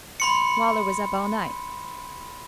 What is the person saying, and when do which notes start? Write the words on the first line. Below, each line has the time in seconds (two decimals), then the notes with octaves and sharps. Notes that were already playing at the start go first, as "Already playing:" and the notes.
Waller was up all night.
0.20 B5 C6 C#7